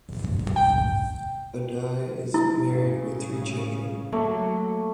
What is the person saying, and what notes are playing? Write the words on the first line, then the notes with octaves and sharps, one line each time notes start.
Addai is married with three children.
G5
E4
A2 C#3
F#3 A3 A#3